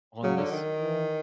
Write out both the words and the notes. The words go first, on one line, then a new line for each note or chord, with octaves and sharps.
on this,
C#3 F#3
D3
D#3
E3